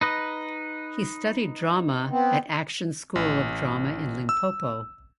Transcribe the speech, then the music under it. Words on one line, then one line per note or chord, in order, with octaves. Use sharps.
He studied drama at Action School of Drama in Limpopo.
D#4 B4 D#5
B3 C4
A1
E6